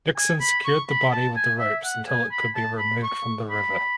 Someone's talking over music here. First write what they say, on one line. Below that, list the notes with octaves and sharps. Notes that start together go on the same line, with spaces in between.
Nickson secured the body with ropes until it could be removed from the river.
G#5
B5
C#6
B5
A5
G#5
E5
F#5
G#5
B5
A5
B5
C#6
B5